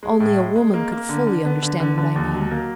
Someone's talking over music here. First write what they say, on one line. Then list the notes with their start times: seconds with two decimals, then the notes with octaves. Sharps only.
Only a woman could fully understand what I mean.
0.03 G#3
0.20 A2
0.38 G#3
0.56 G#3
0.74 A#3
0.92 A#3
1.09 D3
1.27 D3
1.45 B3
1.63 D3
1.80 D3
1.98 D3
2.16 D#2
2.33 F#3
2.51 A#3